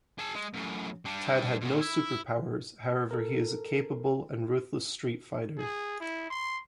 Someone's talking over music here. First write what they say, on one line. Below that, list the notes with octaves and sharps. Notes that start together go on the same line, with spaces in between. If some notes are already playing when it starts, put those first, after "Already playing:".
Tad has no superpowers, however he is a capable and ruthless street fighter.
G#4 A5
G#3
F#2 A2
G3 D4
A#2 C#3
E4
A4 A#4
G#4
E4
C6